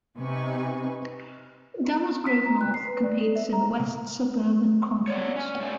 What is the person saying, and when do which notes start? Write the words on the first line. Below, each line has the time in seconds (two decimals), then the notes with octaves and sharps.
Downers Grove North competes in the West Suburban Conference.
0.18 C3 D#4 B4 G#5 C#6
2.27 B6
2.46 A#5
2.61 F#6
2.74 C7
2.87 B4
3.03 D5
3.20 A4
3.36 E5
3.53 A#5
5.08 C#5 D5 F#5
5.36 C#4
5.61 A3 C#4 G4 C5 D5 F#5